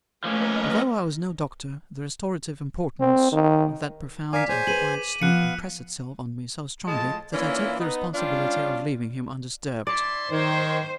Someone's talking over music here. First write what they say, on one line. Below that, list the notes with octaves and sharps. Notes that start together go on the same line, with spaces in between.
Although I was no doctor, the restorative importance of that profound and quiet sleep impressed itself on me so strongly, that I took the responsibility of leaving him undisturbed.
F3 A3 A#3 C#4 B4 D#5 A#5
C4
D#3
A#4 D5 F5 G#5 D6 B6
G#4 C5 C#5 G#5
G#4 B4 D#7 F#7
F3 B3 F5 F#6 C#7
A2 F3 G#3 D#5 A5
E3 A#3 C#4 D4 E4 F4
B3 D#4
G3 C#4 D4 F4
E4 D5 A5 C6
D#3 G4 A#4 C5 C#5